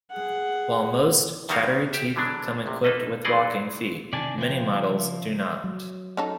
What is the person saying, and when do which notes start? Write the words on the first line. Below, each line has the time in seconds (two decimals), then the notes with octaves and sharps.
While most chattery teeth come equipped with walking feet, many models do not.
0.12 G#4 F#5
1.49 E2 D#3 G3 A#3 F#4 F5
1.93 G4 E5
2.16 D3 E3 F#3 G#3 D4
2.66 A#1 C3
2.84 A#3 D#4 A4 B4 D#5
3.25 E3 F#3 D#4 G#4 D5 D#5
4.13 C3 D#3 D4 D5 G#5 A5
4.38 C#3 F3 E4 G5
5.64 F#3
6.17 C#4 D#4 A4